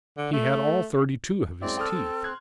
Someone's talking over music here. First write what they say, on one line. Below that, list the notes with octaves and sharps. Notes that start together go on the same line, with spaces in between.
He had all thirty-two of his teeth.
D3
A3
F#2 G#3 C4 E4 D5
A4 G5 D#6 F6
C4
C6 F#6 G#6